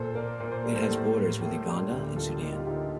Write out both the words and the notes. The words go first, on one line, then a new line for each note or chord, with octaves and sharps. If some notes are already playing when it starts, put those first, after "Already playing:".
It has borders with the Uganda and Sudan.
Already playing: A#2 A4 C5
A#3 A#4 D5
A#2 D5
C5
G3 A#4
A4 C5
A2
A#3
A2
G3
D2 G4 A#4
G3 F4 A4
A#3 D#4 G4
F4
D3 D#4 G4